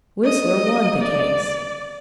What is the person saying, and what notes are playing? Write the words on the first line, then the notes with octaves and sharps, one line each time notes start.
Whistler won the case.
D#5
D5